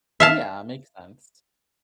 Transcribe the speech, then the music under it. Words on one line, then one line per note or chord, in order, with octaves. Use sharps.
Yeah, makes sense.
E5 F5 A5